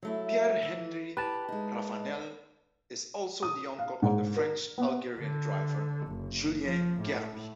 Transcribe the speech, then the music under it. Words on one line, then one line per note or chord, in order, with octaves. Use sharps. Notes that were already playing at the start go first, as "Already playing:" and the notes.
Pierre-Henri Raphanel is also the uncle of the French-Algerian driver Julien Gerbi.
F#3 A3 E4
E3
G4 B4 A5
G#3 D#4
D#6
F5
G#2
A#4
B3
D3
F#1
F3
A2